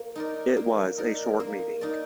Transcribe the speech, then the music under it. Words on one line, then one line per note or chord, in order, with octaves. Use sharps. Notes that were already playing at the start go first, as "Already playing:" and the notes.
It was a short meeting.
Already playing: A#3
D#4 A#4 D5
A#3
D#4 A#4 D5
A#3
D#4 A#4 D5